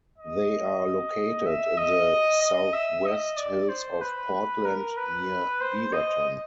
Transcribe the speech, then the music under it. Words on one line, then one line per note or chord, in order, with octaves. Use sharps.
They are located in the southwest hills of Portland, near Beaverton.
D#5
E5
D#5
D#5
E5
D#5
D5
C5
B4
A#4
B4
C5
D#5